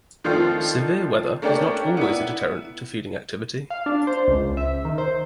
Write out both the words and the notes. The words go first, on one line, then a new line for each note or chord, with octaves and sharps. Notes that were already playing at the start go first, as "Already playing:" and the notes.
Severe weather is not always a deterrent to feeding activity.
D#3 F3 A3 C4 D4 F4
A3 A#3 C#4 D4 G4 D5
B3 E4
F5
D4
C5
C#2
E5
D#3
C5